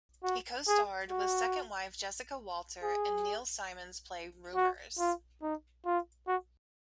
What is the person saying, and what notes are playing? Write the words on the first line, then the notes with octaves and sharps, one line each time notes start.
He co-starred with second wife Jessica Walter in Neil Simon's play "Rumors".
F#4
G#4
F#4
G#4
F#4
F4
D#4
F4
F#4